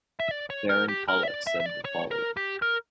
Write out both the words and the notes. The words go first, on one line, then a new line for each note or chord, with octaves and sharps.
Baron Pollock said the following.
E5
D5
C#5
A#4
G4
A#4
E5
D5
E5
E5
D5
C#5
A#4
G4
A#4